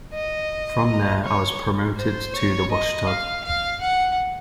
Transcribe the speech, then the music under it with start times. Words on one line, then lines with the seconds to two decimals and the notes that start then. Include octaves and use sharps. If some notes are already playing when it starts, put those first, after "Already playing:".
From there I was promoted to the washtub.
0.14 D#5
1.24 C#5
1.97 C5
2.34 C#5
2.71 D#5
3.07 F5
3.44 F5
3.81 F#5